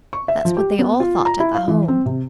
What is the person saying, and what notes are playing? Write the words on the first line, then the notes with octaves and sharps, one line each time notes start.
That's what they all thought at the Home.
C#6
E5
F3
G4
B3
F4
A#5
E4
F5
E3
C4
C3